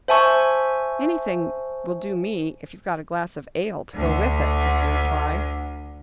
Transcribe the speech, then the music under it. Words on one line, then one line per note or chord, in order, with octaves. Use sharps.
"Anything will do me, if you've got a glass of ale to go with it," was the reply.
C5 E5 G#5 A5 C#6
D2 D3